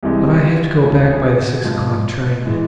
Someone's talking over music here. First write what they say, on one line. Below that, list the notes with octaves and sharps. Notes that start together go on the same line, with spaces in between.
But I have to go back by the six o'clock train.
C2 C3 E3 G#3 G4
F4
D2 C3 F3 G#3 F4
G4
G#4
F#4
G#2 F3 G#3 F4
E3 G#3